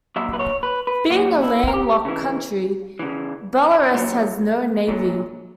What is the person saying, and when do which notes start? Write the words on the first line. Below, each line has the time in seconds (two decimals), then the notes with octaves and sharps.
Being a landlocked country, Belarus has no navy.
0.16 A#2 F#3 E5
0.33 B4
0.39 C#5
0.63 B4
0.87 B4
1.10 A#2 F#3 F#4
1.42 E4
1.68 A#4
1.73 G4
2.05 C#3 E3
2.99 C#3 E3
3.94 A#2 F#3
4.88 A#2 F#3